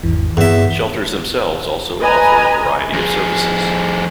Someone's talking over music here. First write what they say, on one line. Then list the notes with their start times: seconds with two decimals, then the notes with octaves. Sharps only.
Shelters themselves also offer a variety of services.
0.03 G#1 E2 E3
0.37 E2 G2 C4 E5
2.00 B4 D#5 G#5 A#5
2.93 F2 G#4